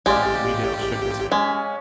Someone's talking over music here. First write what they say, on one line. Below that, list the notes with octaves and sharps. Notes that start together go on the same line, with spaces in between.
Jimmie Dale shook his head.
A1 G#3 C4 G4 D5 F5
G#3 C#4